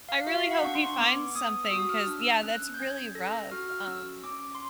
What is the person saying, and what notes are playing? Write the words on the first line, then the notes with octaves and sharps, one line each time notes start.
I really hope he finds something, 'cause, yeah, that's really rough, um.
F5
F#4 E5
F5
F#5
D4 C#6
C6
B3 D6
B3 D#6
E6
F#4 D#6
F6
E6
D4
E6
C#4 F#6
G6
C#4 G#6
A4 A#6
A#6
F#4 F6
F6
C#4 E6
C#4 D6
C6